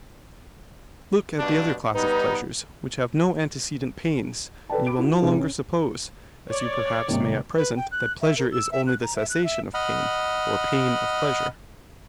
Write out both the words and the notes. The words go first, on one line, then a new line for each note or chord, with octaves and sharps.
Look at the other class of pleasures which have no antecedent pains and you will no longer suppose, as you perhaps may at present, that pleasure is only the cessation of pain, or pain of pleasure.
G2 B2 D4
G3 B3 D#4 B4
A4 B4 D5 G5 A5
B5 D6 D7
E4 F#4
C2 G#2 C3 G#4 B4
C#4
C#5 D5
D#2 G#2 C3
B4
G5
F#6
E5
A#4
E6
E5
F#6
A#5
E5
F#6
E5
D#5 F#5 B5 F6